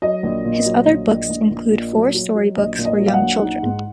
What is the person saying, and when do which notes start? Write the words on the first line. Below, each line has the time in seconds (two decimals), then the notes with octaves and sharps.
His other books include four-story books for young children.
0.02 F#3 D#5
0.23 A#1
0.45 A#2
0.66 F#3
0.87 A#1
1.08 A#1
1.29 A#1
1.51 A#1
1.71 A#2
1.93 F#3
2.15 F#3
2.35 F#3
2.57 A#1 D#5
2.78 A#2
2.85 D#5
3.00 F#3
3.06 F5
3.13 F#5
3.21 A#1
3.42 D#4
3.63 G#2